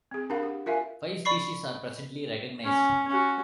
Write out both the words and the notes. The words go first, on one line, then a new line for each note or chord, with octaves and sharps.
Five species are presently recognized.
C4 G#4
D4 G4 A#4 F5 F#5 B5
G4
F4 A#4 E5 F5 G#5
D5 B5 C#6 C7
C#4
C#4 F#4